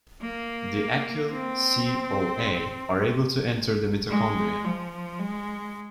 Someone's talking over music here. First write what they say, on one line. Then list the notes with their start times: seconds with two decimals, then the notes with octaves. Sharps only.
The acyl-CoA are able to enter the mitochondria.
0.22 A#3
1.32 C4
4.09 G#3
4.65 F3
5.19 G#3